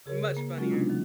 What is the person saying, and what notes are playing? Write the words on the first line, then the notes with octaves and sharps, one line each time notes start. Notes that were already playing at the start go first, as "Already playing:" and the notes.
Much funnier.
C#3 G#4 A#4 C#5
G#4
A#3
F#3 G#3 C#4 F4 F#4
C3 A#3 B3 D4 D#4
D#3 E3 F#3